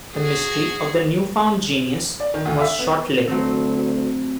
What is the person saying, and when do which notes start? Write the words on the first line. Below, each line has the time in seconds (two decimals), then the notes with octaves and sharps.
The mystery of the newfound genius was short-lived.
0.14 F#4 G#4
2.20 D5
2.34 D#3
2.45 D2
2.60 E5
2.79 B3
3.27 D2 F#3 A3 C4